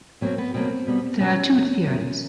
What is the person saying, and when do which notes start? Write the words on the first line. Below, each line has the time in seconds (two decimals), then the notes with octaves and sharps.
There are two theories.
0.21 B2 F#3 A#3 C4
0.38 B3
0.54 B2 F#3 A#3 C4
0.87 B2 G3 B3
1.20 B2 G3 B3 C#4
1.52 E2 C3 D#3 F#3
1.85 E2 C3 D#3 F#3